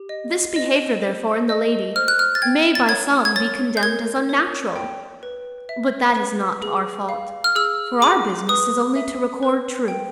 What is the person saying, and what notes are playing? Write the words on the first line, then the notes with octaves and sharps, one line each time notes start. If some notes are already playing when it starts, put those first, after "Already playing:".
This behaviour, therefore, in the lady, may, by some, be condemned as unnatural; but that is not our fault; for our business is only to record truth.
Already playing: G4
D#5
D#5
C5
D#5
C5 F6
F#6
F6
A6
G5 G#6
A6
C#5 G#6
G#6
C#5 A6
G6
A#4 G#6
C#5
G5
B4
E5
B4
G#4
F5
F6
G#4 E6
G#4 D6
B4 D#6
E5
B4
G5